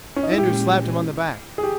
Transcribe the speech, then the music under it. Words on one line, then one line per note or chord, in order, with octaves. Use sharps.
Andrews slapped him on the back.
C#4
D#4
E4
A#2 G#3 C#4 G4
G#4
G4